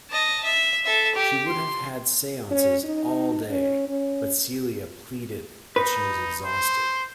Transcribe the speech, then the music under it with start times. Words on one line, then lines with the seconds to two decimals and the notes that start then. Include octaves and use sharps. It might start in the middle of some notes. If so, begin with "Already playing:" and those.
She would have had seances all day, but Celia pleaded that she was exhausted.
0.10 D#5 A5
0.43 E5
0.85 A4 E5
1.15 G4
1.47 C6
2.51 C#4
2.84 D#4
3.50 C#4
3.88 C#4
5.76 D#4 B4
6.43 C5